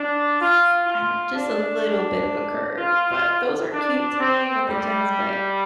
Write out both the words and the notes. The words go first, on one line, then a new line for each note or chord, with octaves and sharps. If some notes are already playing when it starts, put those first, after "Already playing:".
s I don't just a little bit of a curve, but those are cute to me with the gems, but
Already playing: D4
F4
F4
D4
F4
F4
D4
C4
G3